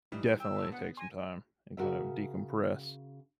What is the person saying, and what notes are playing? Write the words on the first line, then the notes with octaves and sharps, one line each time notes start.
definitely take some time and kind of decompress,
E3 G3 D#4
G5 E6
F2 C3
B3 F#5
G#5 C6 A#6
C#3 F#4 A#4 E5